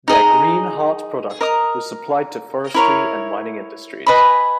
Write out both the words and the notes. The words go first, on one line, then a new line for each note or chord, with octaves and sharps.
Their Green Heart product was supplied to forestry and mining industries.
D#4 G#4 D#5 A#5
A#4 D#5 A#5 D#6
E4 A#4 C#5
B4 D#5 G#5 B5